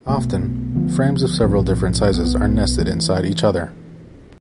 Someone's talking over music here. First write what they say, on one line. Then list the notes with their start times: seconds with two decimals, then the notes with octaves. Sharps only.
Often, frames of several different sizes are nested inside each other.
0.08 B1 B2 A3
0.75 D2 D3 F3 B3
1.43 B1 A2 F3 C4
2.12 B1 B2 G3 B3
2.80 E3 A3